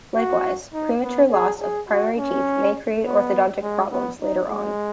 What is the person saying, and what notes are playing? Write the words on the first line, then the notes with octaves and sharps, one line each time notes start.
Likewise, premature loss of primary teeth may create orthodontic problems later on.
F#4
D#4
B3
G#4
G#4
F#4
C#4
B3
G#3
B3
D#4
G#3